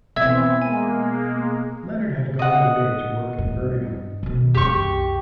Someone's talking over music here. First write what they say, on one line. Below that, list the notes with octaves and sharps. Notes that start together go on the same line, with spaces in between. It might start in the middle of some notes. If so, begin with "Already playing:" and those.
Leonard had gone away to work in Birmingham.
B2 E3 C4 E5 E6 G#6
G#3 A#3 G#5
D#5 F#5
G2
B2 D#3
C2 F#2 G4 C#6